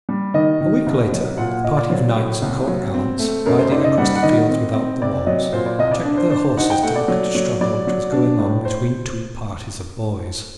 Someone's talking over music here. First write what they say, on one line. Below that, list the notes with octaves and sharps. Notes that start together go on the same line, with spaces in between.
A week later a party of knights and court gallants, riding across the fields without the walls, checked their horses to look at a struggle which was going on between two parties of boys.
G3
D#3 D#5
D#3
C2
F#3
A#2 F#5
F#5
A#2 D#5
D5
F#3 C5
A2
C2
F#3
C4
A3
F#2 A#4
C5
D#4 D5
D#5
G3 F#5
F#5
D#3 D#5
C4
C4
C3 D5
F#3 D#5
A#2 C5
D5
C2 D#5
D5
D4
C5
D4 C5
D#4 F#5
G5
A3 F#5
D5
F#3
F#3
F#3 D5
F#3
D4
A2
C5